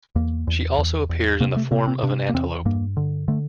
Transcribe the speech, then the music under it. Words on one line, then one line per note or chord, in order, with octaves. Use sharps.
She also appears in the form of an antelope.
E2 A#3
E2
E2
E2
C3 A#3
A3
C3 A#3
C4
C3 D4
A#3
E2 C4
G2 A#3
D3
D3 A3